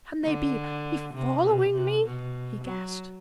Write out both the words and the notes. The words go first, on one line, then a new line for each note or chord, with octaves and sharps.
"Can they be--be following me?" he gasped.
D3
C3
B2
C3
B2
F#3